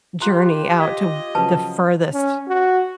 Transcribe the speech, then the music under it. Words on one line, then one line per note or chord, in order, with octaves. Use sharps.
journey out to the furthest
F4 G4 A#5 C6 F#6
D#5 G#6 B6
C#3 F3 F#3 B4 A5
C#4
F#4